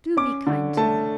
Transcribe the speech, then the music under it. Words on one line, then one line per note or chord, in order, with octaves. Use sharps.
Do be kind to me.
C#4 D6
D3
A3 A5